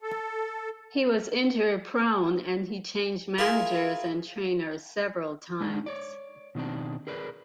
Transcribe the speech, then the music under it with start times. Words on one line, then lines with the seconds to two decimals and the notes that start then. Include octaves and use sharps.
He was injury prone, and he changed managers and trainers several times.
0.02 A4
3.38 E4 F4 G#4 A#4
5.61 G#3 D4 D#4
5.86 C#5 D5
6.55 B2 D#3 C4 D4
7.07 G#4 A#4 B4 D5